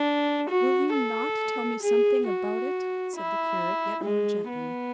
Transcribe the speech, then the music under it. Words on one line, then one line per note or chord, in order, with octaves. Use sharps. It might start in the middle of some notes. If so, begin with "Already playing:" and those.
"Will you not tell me something about it?" said the curate, yet more gently.
Already playing: D4
F#4
A4
G#4
F#4
E4
G#3
B3